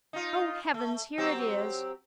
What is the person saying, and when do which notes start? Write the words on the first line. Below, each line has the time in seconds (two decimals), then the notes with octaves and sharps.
"Oh, heavens, here it is!"
0.13 D#4 F4
0.74 A3
1.18 F#3 C4 G4